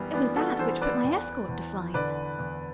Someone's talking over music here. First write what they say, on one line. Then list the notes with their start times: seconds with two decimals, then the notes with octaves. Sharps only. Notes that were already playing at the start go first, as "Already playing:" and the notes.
"It was that which put my escort to flight."
Already playing: F#2 E3 G3 B3
0.13 E3 B3 D4
0.36 F#4 A4
0.59 E3 A4 C5
0.82 B4 D5
1.04 E2
1.49 E2
1.94 D3 B4 D5
2.39 E2